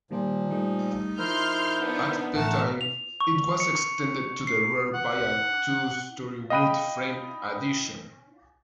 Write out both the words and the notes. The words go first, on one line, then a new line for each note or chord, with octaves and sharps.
At that time, it was extended to the rear by a two-story wood-frame addition.
A#2 D#3 F3 G3 A#3
G3 A3 D#4
F3 E4 A#4 C5 E5 C6 F6 G6
B3 D4
A1 A3 F#5 A5 A#5
F7
C#6
C#7
C7
F#5
D#5 F5 G5 B5 F#6 D#7